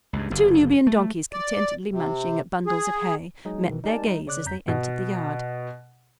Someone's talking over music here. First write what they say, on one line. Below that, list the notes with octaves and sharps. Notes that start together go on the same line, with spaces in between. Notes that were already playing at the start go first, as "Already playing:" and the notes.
The two Nubian donkeys, contentedly munching at bundles of hay, met their gaze as they entered the yard.
C#2 G2
F#1 D3
A3
D5
C3
G#4
F#3 G#3 D#4 G#4
B2 D#3 E3
D#4 G4 A#4 D5 G#5 A5
G3 D#4
C#3 C#5 D5 D6 F#6
F2 A#5 G6 B6
B2